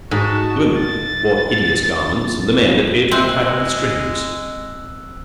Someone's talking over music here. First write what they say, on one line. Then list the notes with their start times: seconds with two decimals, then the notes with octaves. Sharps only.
The women wore hideous garments, and the men appeared to be tied up with strings.
0.11 G#2 F#4 A5
0.80 A6
3.11 G#3 C4 E6 F#6 F#7